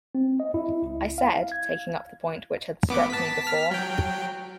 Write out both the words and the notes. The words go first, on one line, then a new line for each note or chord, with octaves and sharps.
I said, taking up the point which had struck me before.
C4
D#5
E4
C#2
F5
G#6
G#1 B3 D6
A5 B6
F6 B6
F#3 G5